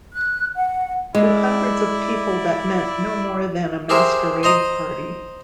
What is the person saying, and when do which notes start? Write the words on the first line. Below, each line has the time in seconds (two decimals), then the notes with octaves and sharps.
To hundreds of people that meant no more than a masquerade party.
0.12 F#6
0.56 F#5
1.15 G#3 E4 D5
3.89 G4 G#4 A#4 C5 E5
4.43 C5 D#5 A#5 D#6